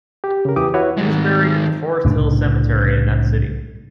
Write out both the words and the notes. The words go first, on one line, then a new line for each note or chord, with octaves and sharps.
He was buried at the Forest Hill Cemetery in that city.
G4
C#3 A#4
E2 E3 G4 D6 D#6
E4 F#4 B4 C#5
D#3 G#3
C2 A2 C#3 D4